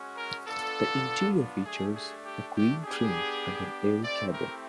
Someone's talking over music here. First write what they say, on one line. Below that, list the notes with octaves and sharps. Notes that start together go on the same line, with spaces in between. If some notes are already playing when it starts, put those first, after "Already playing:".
The interior features a green trim and an airy cabin.
Already playing: G#3 C#4 F#4
A#4
B3 D4 F4 A4
A3 D4 G4 G#4
G#4
G4
G4
B3 D4 G4 G#4
A3 C4 E4 G4 D5
A#4